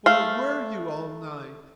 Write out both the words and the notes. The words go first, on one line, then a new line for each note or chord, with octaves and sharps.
"Where were you all night?"
A3 F5